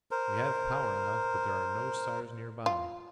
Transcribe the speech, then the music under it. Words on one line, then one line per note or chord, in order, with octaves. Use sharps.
We have power enough, but there are no stars nearby.
A#4 C5
F4